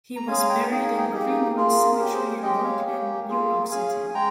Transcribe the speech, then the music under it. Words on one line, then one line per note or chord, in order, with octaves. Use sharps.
He was buried in Green-Wood Cemetery in Brooklyn, New York City.
A#5
G#3 C#4 G#4 F5 G#5
G#5
G5 A#5
A#3 D#4 G#4 G5
G#5
D#5 G5
A#3 D#4 G4 G#4
A#3 F4 G#4 A#4
G#4
C#4 G4 A#4
G#4 C5
G#5
G#3 C#4 G4 D#5 G5
D#5
C#5 F5
A#3 C#4 G4
A#3 F4 G#4
C#4 G#4 F5 G#5
G#5
G#3 G5 A#5